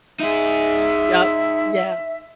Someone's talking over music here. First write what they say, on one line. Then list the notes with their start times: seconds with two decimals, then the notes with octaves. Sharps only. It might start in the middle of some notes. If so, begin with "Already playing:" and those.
Yep, yeah.
0.20 D#4 G#4 E5